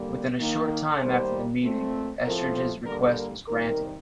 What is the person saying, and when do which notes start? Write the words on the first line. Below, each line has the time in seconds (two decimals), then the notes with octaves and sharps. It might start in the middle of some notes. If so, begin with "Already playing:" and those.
Within a short time after the meeting, Estridge's request was granted.
Already playing: D3 G3 A#3
0.39 D#3 A#3
1.01 D#3 G3 A#3 C5
1.62 A#2 A3 C4
2.24 A2 F3 A3 C4 A#4
2.55 C5
2.85 D3 G3 A#3 A#4
3.16 A#4
3.47 C3 D#3 G3 A#4